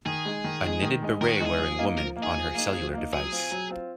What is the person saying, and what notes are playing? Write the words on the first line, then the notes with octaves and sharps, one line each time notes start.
A knittedberet wearing woman on her cellular device.
D#3 G#4
G#3 D#4
D#3
G#3 D#4
D#3
G#3 D#4
D#3 A#4
G#4
F#4
G#3 D#4 G#4
F3
A#3 D#4
F3 A#4
A#3
D#4 G#4
F3
A#3 D#4
F3
A#3 D#4
F#3 G#4
C4 F4
F#3
C4 F4